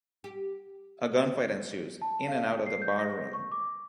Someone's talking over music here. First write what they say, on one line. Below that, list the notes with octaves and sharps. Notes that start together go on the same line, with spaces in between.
A gunfight ensues, in and out of the barroom.
G4
A5
F5
C7
G6
A#6
C#6
D6